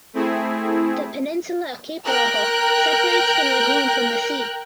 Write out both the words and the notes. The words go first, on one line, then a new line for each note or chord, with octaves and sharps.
The peninsula of Cape Rojo separates the lagoon from the sea.
A3 C4 E4 G#4
A#4 G5 F#6